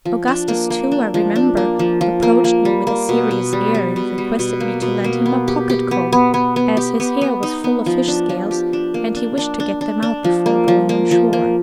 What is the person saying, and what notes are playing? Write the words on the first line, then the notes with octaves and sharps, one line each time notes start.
Augustus, too, I remember, approached me with a serious air, and requested me to lend him a pocket-comb, as his hair was full of fish-scales, and he wished to get them out before going on shore.
F3
D4
A#3
A#3
D4
F3
D4
A#3
F3
F3
A#3
A#3
G3
A#3
B2
B2
G3
G3
B2
G3
B2
A#3
B2
A#3
B3
G4
G4
B3
B3
B3
B3
G4
B3
B3
D#4
B3
F3
D4
F3
G4
D4
A#3
D4
D4
D4
D4
D4
F3
A#3
F3
A#3
F3
A#3